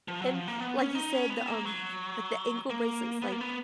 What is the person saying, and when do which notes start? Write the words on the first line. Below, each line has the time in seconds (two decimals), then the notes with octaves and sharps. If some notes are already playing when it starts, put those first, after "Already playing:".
And, like you said, the, um like, the ankle bracelets, like
0.08 F3
0.22 F#3
0.34 F3
0.48 A#3
0.60 B3
0.78 C#4
0.95 D#4
1.13 C#4
1.30 B3
1.47 A#3
1.65 F#3
2.70 A#3
3.22 B3
3.32 A#3
3.41 B3